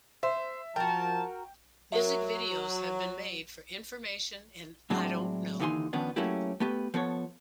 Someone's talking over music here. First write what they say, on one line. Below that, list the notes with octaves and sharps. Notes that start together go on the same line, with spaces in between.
Music videos have been made for "Information" and "I Don't Know".
C5 E5
F3 F#4 A#4 G5 A5
F#3 A#4 E5
F#7
A2 F#3 G#3 C4 D4 E4
D#2 D3 E3 D#4 G#5 C6
D#3 F3 B3 C#4 D4
F#3 A3 A#3 C#4 E4 G4
A3 B3 G4 B4
F3 B3 A4 C#5